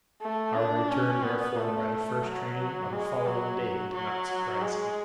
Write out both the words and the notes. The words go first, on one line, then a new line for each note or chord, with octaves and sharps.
Our return, therefore, by the first train on the following day did not surprise him.
A3
D4
C#4
B3
A3
F#3
G#3
F#3
F#3
G#3